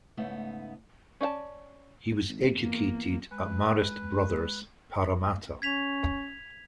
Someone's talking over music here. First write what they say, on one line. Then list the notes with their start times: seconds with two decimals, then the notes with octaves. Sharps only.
He was educated at Marist Brothers, Parramatta.
0.17 G#2 C#3 A3 B3 D#4 E5
1.21 C#4 D5 F5 A5
2.29 G#1
2.62 E2 A#3
3.31 G#3 B4
5.62 C#4 G#6 B6 F7